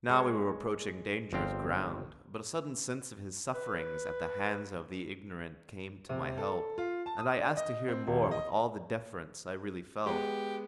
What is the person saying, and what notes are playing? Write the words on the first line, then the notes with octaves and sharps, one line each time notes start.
Now we were approaching dangerous ground, but a sudden sense of his sufferings at the hands of the ignorant came to my help, and I asked to hear more with all the deference I really felt.
G#3 C#5
G1 F3 C4 F5 G5
B4
C3
A4
F4
A5
D#6
D4
D#5
C4
D#1
D#5
G#3 B3 G4